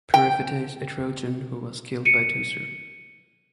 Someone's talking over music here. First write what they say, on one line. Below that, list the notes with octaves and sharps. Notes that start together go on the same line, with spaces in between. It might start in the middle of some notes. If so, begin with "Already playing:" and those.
Periphetes, a Trojan who was killed by Teucer.
G5
C#7 D#7